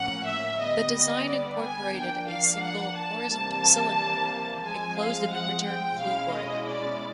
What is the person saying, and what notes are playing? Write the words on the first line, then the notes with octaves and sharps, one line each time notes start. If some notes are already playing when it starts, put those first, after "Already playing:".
The design incorporated a single horizontal cylinder enclosed in a return-flue boiler.
Already playing: A2 F3 A#3 C#4 F#5
E5
D3 G3 B3 D#5
D#5
D5
G#5
F3 A#3 D4 G5
F5
F#5
A5
C3 E3 G3 A#3
F3 G#3 C4 G#5
F5
F#5
G5
B2 G#3 C#4 E4 F5
D#5
D5